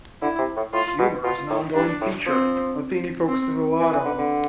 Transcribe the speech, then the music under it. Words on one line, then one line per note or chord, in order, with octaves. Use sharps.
Humor is an on-going feature, a thing he focuses a lot on.
D3 E4
C3
A2
A2 F4
B2
B2 F4
A2
G2 D4
A2
F3 C4
C4
E3 B4
E3
D3
D3